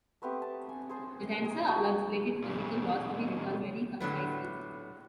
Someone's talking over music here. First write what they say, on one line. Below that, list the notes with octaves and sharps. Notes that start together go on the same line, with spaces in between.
The tensor allows related physical laws to be written very concisely.
A3 B3 C4 G4
A5
G#5
G#4 C5 A5
G#4 A#5
F#4 G#4 D#5
A#2 C#3
A2 D3 F#3 B3